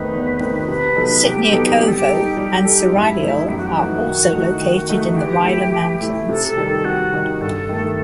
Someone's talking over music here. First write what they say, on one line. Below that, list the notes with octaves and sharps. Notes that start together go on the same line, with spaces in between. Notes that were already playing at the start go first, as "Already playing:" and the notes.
Sitniakovo and Saragiol are also located in the Rila Mountains.
Already playing: E2 D#3 A3 C4 D#4 B4
E2
D#3 A3 C4 D#4
C3 B4
F#3 B3 D#4 A4
C3 G4
F#3 B3 D#4 A4
G3 G4
A4
G4
D#4 A4
G3 G4
D#4 A4
F#2 E4
E3 A3 D#4
F#2 G4
F#4
G4
E3 A3 D#4 F#4
D#3
A3 D#4
D#3
A3 D#4
E3 G4
A3 E4
E3
A3 E4
C3 A4
A4
D#3 G3 D#4
A4
C3 F#4
D#3 G3 D#4
G2 A4
D#3 A3